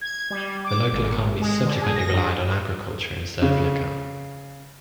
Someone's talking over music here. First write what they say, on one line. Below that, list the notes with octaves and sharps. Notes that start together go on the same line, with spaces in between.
The local economy subsequently relied on agriculture instead of liquor.
G#6
G3
D6
G#1
G#3
D3
G#4
A#6
G2
C#3